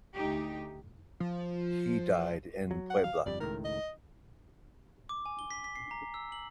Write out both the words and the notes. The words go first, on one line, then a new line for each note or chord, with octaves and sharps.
He died in Puebla.
D2 D#4 G4
F3
F#3
F#5
F5
G1 F2 G3 D5
C#2 A2 D#3 A#4
D#5
D6
G#5
G7
B6
B6
C7
A#5
E6
F#7